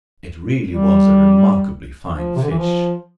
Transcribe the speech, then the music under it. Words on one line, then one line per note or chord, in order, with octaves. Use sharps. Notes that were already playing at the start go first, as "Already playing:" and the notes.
It really was a remarkably fine fish.
G3
F3
C3
D3
E3
F3